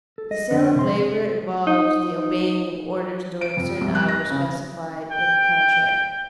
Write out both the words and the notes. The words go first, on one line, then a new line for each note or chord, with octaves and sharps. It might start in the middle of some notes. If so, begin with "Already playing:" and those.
The sale of labor involves the obeying of orders during certain hours specified in the contract.
A4
D#5
F2 D3 C4 D4
C3 C6
D#4
D7
F2
C2
F#6
A#6
C#3
G5